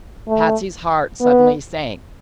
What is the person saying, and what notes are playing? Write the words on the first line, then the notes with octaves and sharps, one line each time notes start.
Patsy's heart suddenly sank.
A3
B3